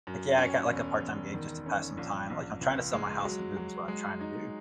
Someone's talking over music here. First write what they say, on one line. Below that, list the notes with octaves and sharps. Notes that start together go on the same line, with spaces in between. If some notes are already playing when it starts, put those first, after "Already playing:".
like, yeah, I got, like, a part-time gig just to pass some time, like, I'm trying to sell my house and move is what I'm trying to do,
F#2
C#4
E1
E1
D#3
C#4
A#1
A#1
C#2
G#3
F#3
F#3
G#3
D#4